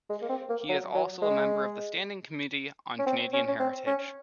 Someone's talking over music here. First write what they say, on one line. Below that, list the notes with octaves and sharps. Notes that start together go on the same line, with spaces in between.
He is also a member of the Standing Committee on Canadian Heritage.
G#3
A#3
C4
A#3
F#3
F#3
G#3
C#4
C4
C#4
C#4
C4
C#4